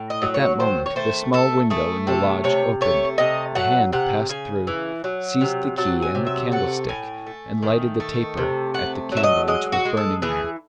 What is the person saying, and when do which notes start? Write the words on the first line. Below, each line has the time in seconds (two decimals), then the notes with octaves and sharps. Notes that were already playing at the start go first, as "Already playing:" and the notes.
At that moment the small window in the lodge opened, a hand passed through, seized the key and the candlestick, and lighted the taper at the candle which was burning there.
Already playing: A2
0.10 D#5
0.22 F#3
0.34 C#5
0.60 D#3 C5
0.86 C#5
0.96 A3 C5
1.33 A3 A4
1.70 A3 G#4
2.07 C3 A4
2.44 C3 C#5
2.81 A3 C#5
3.18 C3 D#5
3.55 F#3 F#5
3.93 C3 F#5
4.29 C#3 G#5
4.67 E3
5.04 F#3
5.41 C3
5.77 F#3 A5
6.02 G#5
6.15 C3
6.27 E5
6.52 A3 F#5
6.89 A2 G#5
7.27 A3
7.63 D#3
8.00 A3
8.37 C3
8.74 A3 F#5
9.12 F#3 E5
9.23 D#5
9.48 G#3 D#5
9.72 F#4
9.85 G#3
9.97 A4
10.22 E3 G#4